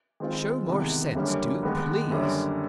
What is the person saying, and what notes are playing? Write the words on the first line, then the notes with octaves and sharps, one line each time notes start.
"Show more sense, do, please."
D#3 G#3 C4 F4
E2 C3 D#3 G#3 B3
F#2 D3 G3 A#3 C#4
D#2 D#3 G#3 B3
F#2 D3 G3 A#3 C#4